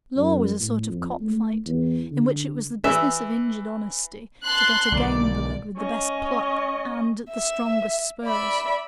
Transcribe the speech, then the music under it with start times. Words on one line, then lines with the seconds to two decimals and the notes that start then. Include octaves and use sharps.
Law was a sort of cock-fight, in which it was the business of injured honesty to get a game bird with the best pluck and the strongest spurs.
0.17 F#2
0.60 A2
0.89 F2
1.21 A3
1.66 E2
2.12 D3
2.84 E3 E5
4.44 A5 C6 F#6
4.92 B1 D3 D#3 D5
5.76 C#4 D#5
7.31 E5
8.24 D5 E5 B5